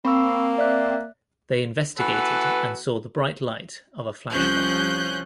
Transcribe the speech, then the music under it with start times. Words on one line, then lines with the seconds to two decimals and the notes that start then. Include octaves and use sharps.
They investigated and saw the bright light of a flash fire.
0.05 A#3 C4 B5 C#6 E6
0.58 D5 E5 F#6
1.97 E3 B3 F#4 A4 B4
4.32 C2 F3 C#4 F#6 G6